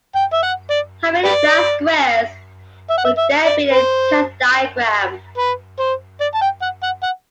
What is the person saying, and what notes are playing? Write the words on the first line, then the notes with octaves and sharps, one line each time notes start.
How many black squares will there be in the tenth diagram?
G5
E5
F#5
D5
G4 B4 D5
E5
F#5
E5
E5
D5
C5
B4
C5
D5
A5
G5
F#5
F#5
F#5